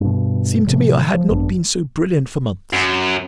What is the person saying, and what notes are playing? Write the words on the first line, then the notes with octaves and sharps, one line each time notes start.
It seemed to me I had not been so brilliant for months.
G2 B2
A2 C3 F3
F3
G#1 F#2 B3 D4
F#2